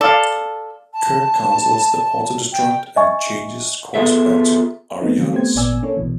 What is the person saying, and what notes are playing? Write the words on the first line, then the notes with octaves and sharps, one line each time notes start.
Kirk cancels the auto-destruct and changes course back to Ariannus.
A4 D5 F5
A5
G5
D#5 E5 G#5 C#6
B3 F4 G#4 A4 E5
G#3 A3 B3 C4 D#4
D#3 F#3 G3 A3 C4
A3 B3 C4 G4 C5 G#6
G#1 A#2 B3 D5 G#5 E6
A#3 C#4 D4 A4 C#5
B1 B2 E3